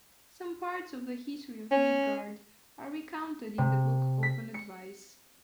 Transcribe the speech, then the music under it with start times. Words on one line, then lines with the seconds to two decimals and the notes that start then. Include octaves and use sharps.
Some parts of the history of Midgard are recounted in the book Open Advice.
1.71 C#4
3.58 C3
4.23 B6
4.54 C#7